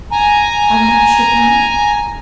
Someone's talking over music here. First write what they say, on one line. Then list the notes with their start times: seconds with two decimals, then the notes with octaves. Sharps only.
"How much should we make?"
0.12 G#5 A#5